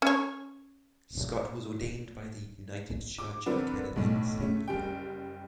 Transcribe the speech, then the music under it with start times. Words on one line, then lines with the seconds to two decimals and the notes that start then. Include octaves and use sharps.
Scott was ordained by the United Church of Canada in the same year.
0.02 C#4 C#5
3.18 D6
3.46 D3 F3 C4 A#4 B4 D5
3.96 B1 A2
4.41 A3 C#4
4.68 F#1 G3 G5